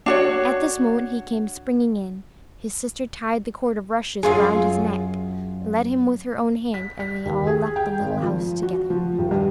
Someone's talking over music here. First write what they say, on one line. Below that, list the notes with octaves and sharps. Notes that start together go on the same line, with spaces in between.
At this moment he came springing in, his sister tied the cord of rushes round his neck, led him with her own hand, and they all left the little house together.
D4 F#4 C#5
F#2 F4 G#4
B6
B6
D#2
G#4
G5
G#1
F3
F#4
F3
D#1
G2